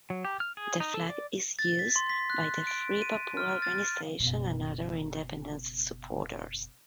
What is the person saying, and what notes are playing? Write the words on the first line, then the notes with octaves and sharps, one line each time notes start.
The flag is used by the Free Papua Organization and other independence supporters.
F#3
G4
F6
G#4
D#4
A4
D5
A6
B6
C6
B6
F#6
D7
D#7
F6
A6
F#1 B2